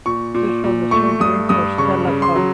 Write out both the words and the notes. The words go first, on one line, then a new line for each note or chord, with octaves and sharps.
This was the third win for Stella Kon.
A#2 C#6
A#2
A#2
A3 C#6
G2 D#6
G2 D#6
C#3 C#6
C#3
C6
F#3